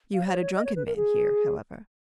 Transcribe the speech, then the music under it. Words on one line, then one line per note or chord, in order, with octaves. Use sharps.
"You had a drunken man here, however."
F5
C#5
C#5
D#5
C#5
B4
A#4
G#4